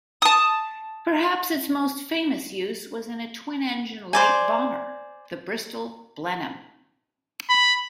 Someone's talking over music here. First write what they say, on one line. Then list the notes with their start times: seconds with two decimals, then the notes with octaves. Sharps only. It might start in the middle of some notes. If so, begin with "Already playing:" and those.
Perhaps its most famous use was in a twin-engine light bomber, the Bristol Blenheim.
0.22 A5 D#6
4.13 C5 D5 G#5
7.49 B5